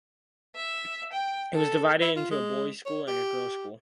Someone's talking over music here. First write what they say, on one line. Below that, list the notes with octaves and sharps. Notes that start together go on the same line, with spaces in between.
It was divided into a boys' school and a girls' school.
E5
G5
A4
E4
F4
G#3
C#5
G4